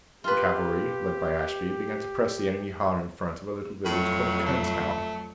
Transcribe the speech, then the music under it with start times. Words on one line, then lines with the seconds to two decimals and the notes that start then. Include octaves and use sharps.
The cavalry led by Ashby began to press the enemy hard in front of a little village called Kernstown.
0.24 F4 G4 B4
3.85 F2 A2 F#3
4.46 A3